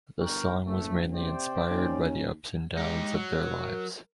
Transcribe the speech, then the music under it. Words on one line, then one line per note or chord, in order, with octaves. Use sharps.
The song was mainly inspired by the ups and downs of their lives.
G1 A#4 G5 C#6
F#1 A3
C3 C5 D5 G5
D#2 C#4
G#3 D#4 G4
F#3
A#4